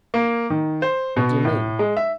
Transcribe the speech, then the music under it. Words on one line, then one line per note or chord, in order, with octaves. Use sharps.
"What do you mean?"
A#3
D#3
C5
B2
A2
G#3
E5